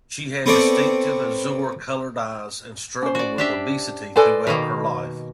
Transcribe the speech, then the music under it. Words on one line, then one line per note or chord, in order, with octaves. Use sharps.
She had distinctive azure colored eyes, and struggled with obesity throughout her life.
B3 C4 A4 C#5 D5
C#4 C5
F#4 D5
D4 G4 E5
A4 B4 C5 D5 D#5 G#5
B2 D#3 A#3